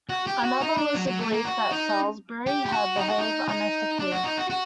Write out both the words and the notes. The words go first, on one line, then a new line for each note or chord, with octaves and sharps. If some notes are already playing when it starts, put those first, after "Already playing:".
Another was the belief that Salisbury had behaved unethically.
F#4
G4
F#4
D#4
D4
F#3
F#3
A3
A#3
F#4
D#4
G4
G4
F#4
D#4
F#4
D#4
D#4
D4
F#4
D#4
F#4
F#4